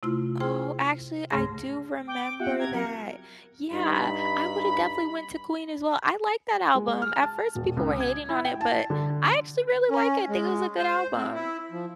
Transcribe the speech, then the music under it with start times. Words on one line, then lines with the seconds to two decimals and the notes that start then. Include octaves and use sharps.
Oh, actually, I do remember that. Yeah, I would've definitely went to Queen as well I like that album, at first, people were hating on it, but I actually really like it, think it was a good album.
0.03 C3 A3 E4 F4 C6 E6
0.40 G#4 C5 G5 C6 F6
1.30 D2 G#2 C#3 A3 G#4 A#6
2.08 G5 D6
2.24 D7
2.40 B3 F4 G4 E5 F#5 G5
2.60 C4 A#5 G#6
2.74 F#3 A#4 C#7
3.72 G2 D#4 B5
6.75 G#3
7.02 F6
7.23 A5
7.55 E1
7.77 C#2
8.00 G#6
8.29 E4
8.45 G5
8.61 A5
8.90 D3
9.90 C#4
10.29 G#3
10.77 C5
11.17 C4
11.34 E4
11.72 F3